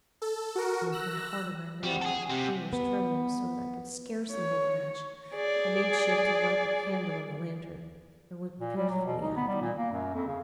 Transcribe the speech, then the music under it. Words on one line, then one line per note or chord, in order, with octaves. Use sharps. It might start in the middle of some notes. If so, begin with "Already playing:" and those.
And with my heart in my mouth and fingers trembling so that I could scarcely hold the match, I made shift to light the candle in the lantern, and went fearfully after him.
A4
F#4 A#4
E6 F#6 A#6
G3 C4 F#4
G#4 A4
C3 C4 G4 F#5 G#5
B3
C#5
G#4 D5
A#2
G3
F#3
B2
D#4
B3
G3
A#2
A#3
F#2
F2
C#3